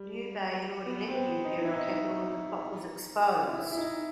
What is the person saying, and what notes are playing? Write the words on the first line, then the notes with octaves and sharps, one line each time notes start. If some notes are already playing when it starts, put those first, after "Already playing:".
Liu Bei had already left the imperial capital when the plot was exposed.
Already playing: G3
B3
C4
B3
D#4
E4
D#4
E4
E4
D#4